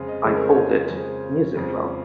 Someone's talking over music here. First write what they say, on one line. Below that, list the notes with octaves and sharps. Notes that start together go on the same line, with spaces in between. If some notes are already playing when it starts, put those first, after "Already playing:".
I called it 'Music Love'.
Already playing: F2 C#3 G#3 F4 G#4
D#5
F2 C#3 G#3 D#5
A#4
C5
C#5
D#5
F2 C#3 G#3
F2 C#3 G#3